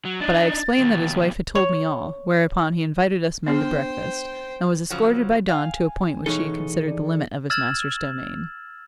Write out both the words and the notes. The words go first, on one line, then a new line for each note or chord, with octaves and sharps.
But I explained that his wife had told me all, whereupon he invited us men to breakfast, and was escorted by Don to a point which he considered the limit of his master's domain.
F#3
D4 D#4 A6
D#2 B2
C#5
B3 D4 G#4 C5 G5
C#3 F3 F#3
F5 G5 G#5
B2 E3 G#3 D#4 G#4 A4 C#5
D#4 D5
E6 F6 G#6 A6 E7 F#7